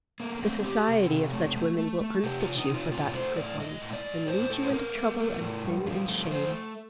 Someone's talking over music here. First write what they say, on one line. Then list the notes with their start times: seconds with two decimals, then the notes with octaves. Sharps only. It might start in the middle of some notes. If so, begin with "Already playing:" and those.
The society of such women will unfit you for that of good ones, and lead you into trouble and sin and shame.
0.20 A3 A#3
0.42 A3 C4
0.65 A3 G4
0.87 C3 A4
1.10 C3
1.33 A3
1.56 A3
1.78 A3
2.01 A3
2.23 C3 G4
2.40 F4
2.46 C3
2.58 D#4
2.69 C3
2.74 F4
2.91 A2 F4
3.14 A3 C5
3.36 A2 D5
3.59 A3 D#5
3.82 A2
3.93 D5
4.05 A2
4.27 A2 C5
4.50 A2 A4
4.63 C5
4.72 A3 A#4
4.95 A3
5.18 A3
5.40 A2
5.64 G2
5.86 F3
6.08 A3
6.31 A3 C5